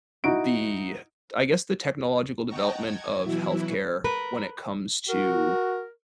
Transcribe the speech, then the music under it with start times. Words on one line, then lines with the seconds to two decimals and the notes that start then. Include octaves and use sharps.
the I guess, the technological development of health care when it comes to
0.24 D#4 E4 F#4 D7
2.47 D#5 F#5 G5 A5 A#5 C#6
2.80 G#6
3.23 B2 E3 F#3 E4
4.04 A#4 B4
5.10 F#4 A#4